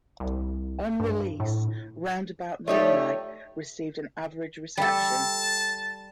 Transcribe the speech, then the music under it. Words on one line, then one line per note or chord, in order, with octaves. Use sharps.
On release, "Round About Midnight" received an average reception.
C2
G2
A2
F3 A3 D#4 G4 C#5 D5 E5
G3 A4 A5